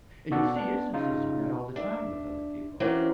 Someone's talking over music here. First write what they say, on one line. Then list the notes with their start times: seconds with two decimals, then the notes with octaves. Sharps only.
And you see instances of that all the time with other people.
0.31 B2 F#4 A4 D5 F#5
0.56 B3 D4
0.93 C#3 D#4 F4
1.76 D4 E5
2.80 E3 F#3 A#3 C4 C#4